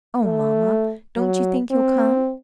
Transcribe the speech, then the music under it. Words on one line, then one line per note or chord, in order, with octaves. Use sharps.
"Oh, mamma, don't you think he'll come?"
A3
F#3
C4